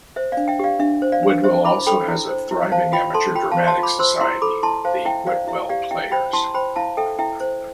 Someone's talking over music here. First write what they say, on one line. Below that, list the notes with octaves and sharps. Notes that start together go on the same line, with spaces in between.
Whitwell also has a thriving amateur dramatics society - The Whitwell Players.
C5 E5
D5 F5
D4
E5 G5
G4 D5 F5
D4 E5
C5
D5 F5
D4
C5 E5
E4 B5 D6
A4 G5 B5
E4
C5
E4
C5 F5 A5
F4 G5 B5
A4 A5 C6
F4 G5 B5
F5 A5
C5
A5 C6
F4
B5 D6
C5 C6 E6
E4 C6 E6
A4 B5 D6
E4 A5 C6
C5 F5 A5
E4 E5 G5
C5 D5 F5
E4 E5
G4 D5 F5
E4 E5 G5
C5 G5 B5
E4 A5 C6
C5 G5 B5
E4 F5 A5
A4 E5 G5
E4 E5 G5
C5